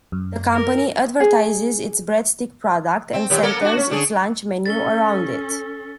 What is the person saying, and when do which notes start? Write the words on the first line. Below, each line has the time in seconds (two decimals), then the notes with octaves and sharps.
The company advertises its breadstick product and centers its lunch menu around it.
0.12 F#2
0.53 A#4
1.20 G#4
3.13 C4
3.30 D#2 A#2 G3
3.43 A#3 A4 A#4
3.61 D4 F#4
3.77 C#4
3.90 D3 D4 G#4
4.66 C#4 A4 A6 G7